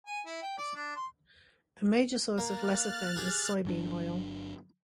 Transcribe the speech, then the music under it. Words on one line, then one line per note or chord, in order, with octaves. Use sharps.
A major source of lecithin is soybean oil.
G#5
E4
G5
D5
D4
C6
A#3 F6 F#6 A6
G4 G#4
G1 F#3 D4